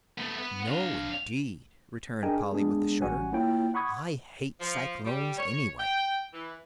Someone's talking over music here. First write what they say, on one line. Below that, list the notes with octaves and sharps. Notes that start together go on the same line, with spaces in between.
"No indeed," returned Polly, with a shudder, "I hate cyclones, anyway."
A3 B3
B3
D4 F5
D4 G#4 A#4 D#5 G5 G#5
G#4
G#3 B3 D4 G#4
A1 G3 C#4 F#4 F#5 G#5
A#3 E4 F4 C#5 G5
F#5 B5 C#6 D#6 G#6
F3
G3
C#5
G5
E3